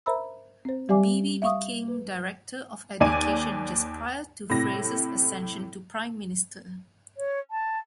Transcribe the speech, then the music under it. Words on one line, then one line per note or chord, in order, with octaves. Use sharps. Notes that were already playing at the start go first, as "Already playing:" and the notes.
Beeby became Director of Education just prior to Fraser's ascension to Prime Minister.
A#4 C5 E5 A#5 B5 E6
C4 C5
G3 G4 D5 E5 G#5 D6
E5 F5 C#6 D#6
B4
D#2 D5 G#5 D#7
A2 C3 A#6
C#5
A5